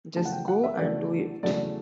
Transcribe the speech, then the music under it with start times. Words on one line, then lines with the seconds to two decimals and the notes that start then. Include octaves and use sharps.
Just go and do it.
0.15 E2 C#3 F#3 A3 A5
0.25 F#5
0.32 G5
0.48 F#5
0.64 E5
0.79 E2 C#3 F#3 A3 D5
1.43 E2 C#3 F#3 A3 D5